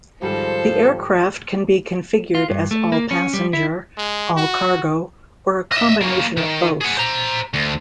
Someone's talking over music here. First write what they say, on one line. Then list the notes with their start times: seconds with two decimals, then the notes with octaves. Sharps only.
The aircraft can be configured as all-passenger, all-cargo or a combination of both.
0.22 G#2 D#3 F3 G3 A4 C5
2.35 F4
2.50 G2
2.71 A3
2.92 A#3
3.11 C#4
3.33 G3
3.53 E4
3.98 G#3
4.37 F#4
5.72 D#5 E5
6.01 A#3 C#4
6.37 D#3
6.81 G#4 F#5
6.97 C5 A#5
7.54 D2